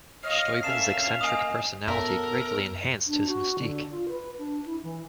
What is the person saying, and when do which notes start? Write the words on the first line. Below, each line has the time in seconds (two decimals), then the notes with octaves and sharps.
Steuben's eccentric personality greatly enhanced his mystique.
0.23 C#5 D#5 F5 F6
0.63 C#4 A4 A#4 E5 F5 A5 C7 E7
1.21 A#3 A#4 D#5 G#5 D#6
1.88 F#2 F#3 A3 B3 A#4 E5
3.07 D4
3.27 F#4
3.59 D3
3.91 F4
4.09 B4
4.38 D4
4.66 E4
4.83 E3